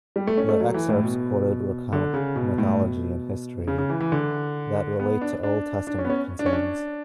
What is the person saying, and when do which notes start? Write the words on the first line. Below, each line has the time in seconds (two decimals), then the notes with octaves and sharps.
The excerpts quoted recount mythology and history that relate to Old Testament concerns.
0.16 G3
0.27 A3
0.37 C#4
0.49 A3
0.60 F#3
0.74 E3
0.89 A2
1.04 B2
1.92 D3
2.14 C#3
2.36 B2
2.58 A2
2.80 B2
3.68 C#3
3.78 C#3
3.90 E3
4.01 E3
4.12 D3
5.00 B3
5.21 D4
5.43 D4
5.87 D4
5.98 C#4
6.05 B3
6.10 C#4
6.39 D4
6.46 C#4
6.53 D4